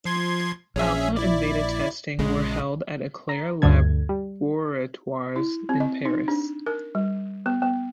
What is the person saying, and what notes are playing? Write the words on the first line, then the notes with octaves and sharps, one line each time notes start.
Alpha and beta testing were held at Eclair Laboratoires in Paris.
F3 C6 G#6
A#1 C#4 G#4 E5
E4 D5
A#1 C#3 G#3
A#5
D2 G2 D3 A4 G#6
G3
E4
C4
D#5
D#4
D4
A#4
G3
B3
B3